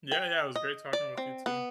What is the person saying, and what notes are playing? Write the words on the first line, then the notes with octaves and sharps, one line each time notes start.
Yeah, yeah. It was great talking with you, too.
G5
D#5
D5
C4
B3